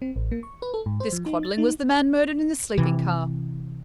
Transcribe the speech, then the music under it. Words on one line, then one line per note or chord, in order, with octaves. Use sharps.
This Quadling was the man murdered in the sleeping-car.
C4
A1
A#3
C#6
B4
A4
G#2
C5
F3
D#4
A6
D#4
C3 E3